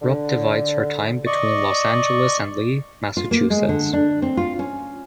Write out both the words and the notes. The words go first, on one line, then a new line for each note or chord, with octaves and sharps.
Rupp divides her time between Los Angeles and Lee, Massachusetts.
D3
D5 D#5 C#6
F4
A#3
G#3
D3
D4
C4
F4
C#4